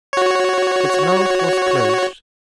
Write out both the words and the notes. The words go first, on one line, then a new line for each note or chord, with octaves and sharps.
Its mouth was closed.
F#4 C#5